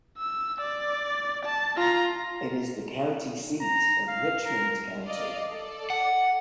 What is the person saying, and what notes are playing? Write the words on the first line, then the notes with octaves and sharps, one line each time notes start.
It is the county seat of Richmond County.
E6
D5
A5
F4 A#5
A#5
F5
A#4
D5 D#5 F5
A4 D5
F#5